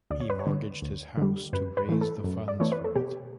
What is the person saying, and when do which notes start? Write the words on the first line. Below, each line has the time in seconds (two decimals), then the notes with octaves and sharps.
He mortgaged his house to raise the funds for it.
0.10 D2 D5
0.20 C#5
0.30 B4
0.39 C#5
0.47 D3 G3
0.82 D2
1.17 D3 G3
1.53 F#2 B4
1.77 B4
1.89 E3 A3
2.01 A4
2.24 F#2
2.48 D5
2.60 E3 A3 C#5
2.72 B4
2.84 A4
2.96 B2 G4